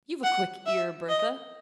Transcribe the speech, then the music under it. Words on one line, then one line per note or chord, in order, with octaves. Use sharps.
You've a quick ear, Bertha.
F#5
E5
D#5